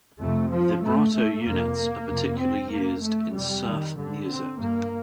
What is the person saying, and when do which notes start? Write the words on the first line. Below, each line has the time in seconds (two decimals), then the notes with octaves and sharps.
Vibrato units are particularly used in surf music.
0.20 F2 C3 A3
0.51 F3
0.82 G2 A3
1.14 A3
1.44 F2 C3 A#3
2.08 F2 C3
2.39 C4
2.70 F2 C3 A#3
3.01 A3
3.33 F2 C3 G3
3.65 D#3
3.96 G2 D3
4.27 C4
4.58 G2 A#3